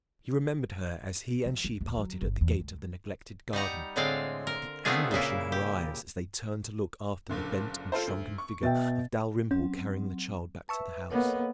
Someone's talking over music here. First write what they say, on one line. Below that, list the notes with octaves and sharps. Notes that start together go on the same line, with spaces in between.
He remembered her as he and she parted at the gate of the neglected garden, the anguish in her eyes as they turned to look after the bent and shrunken figure of Dalrymple carrying the child back to the house.
F3
D4
D#2
F#3
G1
E2
C#2
G3 D#4 F#5 A#5
A2 D3 G#3 C4 D5 F5
A#4
A3 B3 C4 D4 F4 G#4
A#2 C#3 A#3 E4
G4
F#1 A#2 D3
F4 A4 C5
D2
C#6
B2 E5 G5 A6
F#3 C4 C#4
B4 E5 A5 C#6 E6
A#3 B3 A4 C#5 D#5